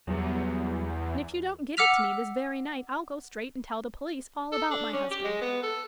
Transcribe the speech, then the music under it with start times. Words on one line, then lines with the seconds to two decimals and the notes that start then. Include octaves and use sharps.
"And if you don't give it to me this very night I'll go straight and tell the police all about my husband."
0.07 E2 F#3 G3 B3
1.77 F#5 D6 E6 F6 B6 F7
4.52 A4
4.71 D4
4.93 C#4
5.11 G4
5.24 G#3
5.41 B3
5.62 A4